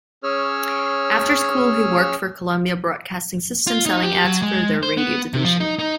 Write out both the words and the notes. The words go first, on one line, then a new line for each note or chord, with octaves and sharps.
After school, he worked for Columbia Broadcasting System selling ads for their radio division.
C#4 G#4 C#5 E6 F6
F4
D#4
G4
F#3
G#3
C5
B3
C3
F3
D#4
D#4